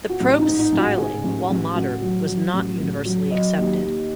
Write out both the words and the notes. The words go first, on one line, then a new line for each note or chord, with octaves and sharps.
The Probe's styling, while modern, was not universally accepted.
F#4
A1 E4
D#4
G#2
D#4
A1
F#4
G#2 G#4
A1
A1
A1 F#4
F#3
F#3
A1
A1
F#3
F#3 D#5
D#2
D#2